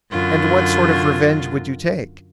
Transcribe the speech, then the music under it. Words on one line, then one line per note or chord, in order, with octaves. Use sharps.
"And what sort of revenge would you take?"
F#2 D3 F4